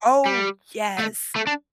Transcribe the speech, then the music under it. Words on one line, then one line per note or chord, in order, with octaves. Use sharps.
Oh, yes.
G3
A3
A3
D4